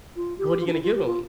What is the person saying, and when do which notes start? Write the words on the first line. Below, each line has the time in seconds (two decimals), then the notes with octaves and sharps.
So what are you gonna give 'em?
0.16 F4
0.38 G4
0.61 F4
0.67 D4
0.72 E4
0.83 F4
0.95 G4
1.06 F4